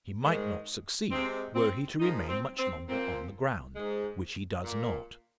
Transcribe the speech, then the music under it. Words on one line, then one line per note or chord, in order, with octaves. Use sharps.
He might not succeed were he to remain much longer on the ground--which he does not.
G#2 D#3 G#3
C3 G#3 C4
C4
A#2 F3 G#3 D#4
C4
C4
A#2 F3 A#3 C4
G#2 G#3
A#2 A#3